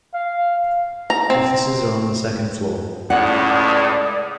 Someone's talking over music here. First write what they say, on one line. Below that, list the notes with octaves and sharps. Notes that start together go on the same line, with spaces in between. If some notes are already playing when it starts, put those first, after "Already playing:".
Offices are on the second floor.
F5
A#5
C4
C#2 A2 D5 F#5 D#6